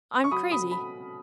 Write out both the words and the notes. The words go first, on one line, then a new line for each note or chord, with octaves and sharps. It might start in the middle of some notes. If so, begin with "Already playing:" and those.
I'm crazy!
C#6
F#3 B5 D#6
F#3 B5 D#6
B5